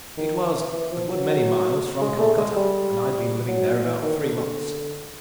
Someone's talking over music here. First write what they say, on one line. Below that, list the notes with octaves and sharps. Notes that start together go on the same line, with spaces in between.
It was a good many miles from Calcutta, and I'd been living there about three months.
D#3
E3
E3
F3
F#3
G#3
A3
G#3
G3
F#3
E3
D#3
D3